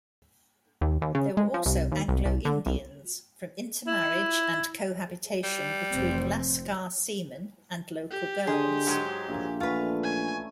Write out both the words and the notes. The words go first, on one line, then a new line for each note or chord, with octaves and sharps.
There were also Anglo-Indians, from intermarriage and cohabitation between "lascar" seamen and local girls.
D#2
D#2
C#3
G#3
F3
C2
D#2
C2
C2
D3
C2
E4
G3
F1 C4
G4
D3 D#4 G#4 C5
G#2 F#3 G#3
A#1 A#3 G#4 E5
D3 E3 A3 F4 B4
C#4 G#5